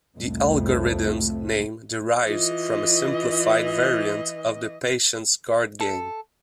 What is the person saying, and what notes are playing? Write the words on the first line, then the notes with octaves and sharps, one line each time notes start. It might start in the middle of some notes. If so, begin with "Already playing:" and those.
The algorithm's name derives from a simplified variant of the patience card game.
C2 F2 A2 A3
E3 F4 D#5
A4